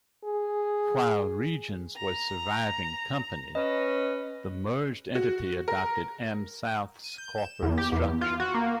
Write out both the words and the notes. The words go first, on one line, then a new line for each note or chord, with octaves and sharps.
While Regions was surviving company, the merged entity adopted AmSouth's corporate structure.
G#4
A#5
C#4 B4 D#5
F#4
A#4
D#7
G6
E7
E2
G4
E2
F4
F#4
A#3